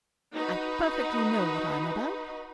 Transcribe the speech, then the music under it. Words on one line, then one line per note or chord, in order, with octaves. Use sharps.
I perfectly know what I'm about.
D#4 F#4 B4